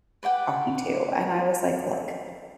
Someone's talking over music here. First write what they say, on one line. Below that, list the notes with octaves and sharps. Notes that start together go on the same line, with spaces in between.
talking to, and I was like, "Look,
B4 D5 F#5 G5